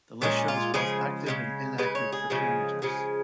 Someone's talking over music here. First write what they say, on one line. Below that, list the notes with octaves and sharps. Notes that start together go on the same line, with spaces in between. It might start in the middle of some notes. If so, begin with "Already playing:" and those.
The list shows both active and inactive fraternities.
A#2 G#3 C#4
F4
C#3 F3 G#3 G#4
C#3 F3 G#3
C#3 F3 G#3 B4
C#5
G#4
C#3 F3 G#3
C#3 F3 G#3